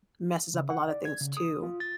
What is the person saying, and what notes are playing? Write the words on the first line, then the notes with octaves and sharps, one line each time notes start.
messes up a lotta things, too.
C#3
F#5
D5
G#6
C#3
D#6
F4
A6